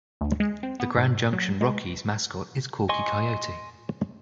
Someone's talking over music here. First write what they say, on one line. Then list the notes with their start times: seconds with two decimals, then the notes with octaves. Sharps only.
The Grand Junction Rockies mascot is Corky Coyote.
0.21 D2
0.40 G#3
0.63 C4
0.80 B3
0.96 G#2
1.33 F#3
1.61 G#3
2.89 D#5 G#5 C6 C#6